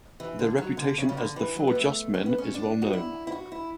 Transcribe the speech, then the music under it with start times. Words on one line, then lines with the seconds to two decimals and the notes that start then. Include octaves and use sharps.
Their reputation as the "Four Just Men" is well known.
0.20 E3
0.39 D3
0.58 F#3
0.77 D3
0.98 C#3
1.09 C#3
1.17 D3
1.36 E3
1.56 F#3
1.67 B3
1.75 A3
2.14 C#4
2.26 B3
2.38 C#4
2.54 D4
2.82 F#4
2.93 E4
3.27 E4
3.32 F#4
3.52 E4